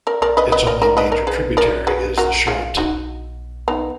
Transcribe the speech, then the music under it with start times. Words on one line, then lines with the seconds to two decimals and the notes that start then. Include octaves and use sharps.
Its only major tributary is the Charentonne.
0.07 A#4 D5
0.22 A#4 D5
0.37 B4 D#5
0.52 B4 D#5
0.67 A#4 D5
0.82 A#4 D5
0.97 B4 D#5
1.12 A#4 D5
1.27 G#4 B4
1.57 A#4 D5
1.87 G#4 B4
2.18 F#4 A#4
2.47 F4 G#4
2.77 D#4 F#4
3.68 B3 D#4